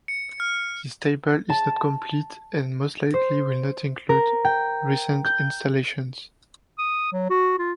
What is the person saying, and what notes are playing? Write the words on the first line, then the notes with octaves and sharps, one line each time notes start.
This table is not complete and most likely will not include recent installations.
C#7
F6
A5
C5
A#4
G5
G6
D#6
F#3
F#4
F4